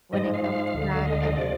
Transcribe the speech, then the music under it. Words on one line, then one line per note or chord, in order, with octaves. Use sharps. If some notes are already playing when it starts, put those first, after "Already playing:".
when it comes to that, an
G#2 F3 G#3 D#5
F5
F5
D2 D3 G#3
D#5
F5
D5
D#5
C3 F3 D5